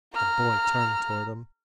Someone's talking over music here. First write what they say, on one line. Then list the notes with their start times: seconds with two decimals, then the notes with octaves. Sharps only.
The boy turned towards him.
0.13 A#5 F6